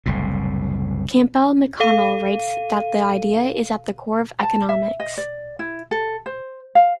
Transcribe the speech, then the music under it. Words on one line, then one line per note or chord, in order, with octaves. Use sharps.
Campbell McConnell writes that the idea is "at the core of economics".
F#1 C2 A2
A4 F5 D#7
A5
E5
D#5
D5
E4
A4
C5
F5